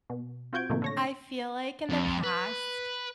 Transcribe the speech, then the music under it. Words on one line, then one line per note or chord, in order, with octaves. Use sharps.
I feel like in the past,
B2
C4 F4 F#4 G6 G#6 D7
A2 C3 D#3 F3 A3 A#3
D3 C#5 A#6
F2
B4